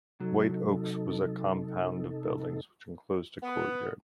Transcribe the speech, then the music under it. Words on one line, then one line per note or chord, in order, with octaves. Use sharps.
White Oaks was a compound of buildings which enclosed a courtyard.
C3 F#3 D#4 A4
B3